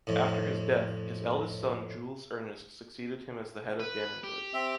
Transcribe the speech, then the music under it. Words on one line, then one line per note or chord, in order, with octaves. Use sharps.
After his death, his eldest son Jules-Ernest succeeded him as the head of Dannenberg.
F2 A2
B4
G4
C4 E5